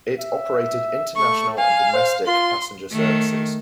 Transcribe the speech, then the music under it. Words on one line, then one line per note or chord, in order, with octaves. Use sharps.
It operated international and domestic passenger services.
E5
A3 C#6
F5 G#5
C5
F4 C6
D#3 A3